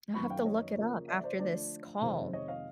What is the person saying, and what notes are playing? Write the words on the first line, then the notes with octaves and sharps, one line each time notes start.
I have to look it up after this call.
F#2 D#3 F#3 B3 B5 C#6
F5 G5
C#5 D#5
C#3 F3 A#3
D5 E5
C5 D5
D3 F3 A3 C5 D5
F2 C3 D#3 G#3 C4
C#5 D#5
D#5 F5